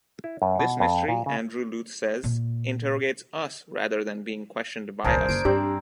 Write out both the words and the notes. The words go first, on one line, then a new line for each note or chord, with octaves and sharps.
This mystery, Andrew Louth says, interrogates us rather than being questioned by us.
E4
F#2
B2
F2
A#2
C#3
A#2
D#1 C2 D4 G#4 A#4 C5
F#1 F4 D7
G2 C4 D4 G4